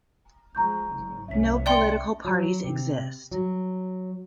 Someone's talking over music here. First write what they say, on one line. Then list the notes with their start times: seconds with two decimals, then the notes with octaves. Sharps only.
No political parties exist.
0.55 F3 G#3 A#5 C#6 G6
0.91 F#1 G#2
1.28 C2 F2 C#4 E5 B6
1.66 D5 E5 G5 C6 C#7
2.25 F#3
2.64 C3
3.31 F#3